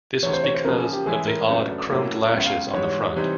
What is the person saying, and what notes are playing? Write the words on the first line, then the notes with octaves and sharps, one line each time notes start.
This was because of the odd chromed "lashes" on the front.
D2 C3 E3 C#5
C5
C#5
C5
C#3 F3 A#3 A#4
G#4
G4
A2 E3 G#3 C#4 E4 G#4
A#4
F#2 C#3 F#3 A3 D4 B4
A2 F#3 A#3 C#4 E4
C#2 C#3 F#3 B3 E5
F5
G#2 E3 G3 C#5
C3 E3 G3 C4 D#4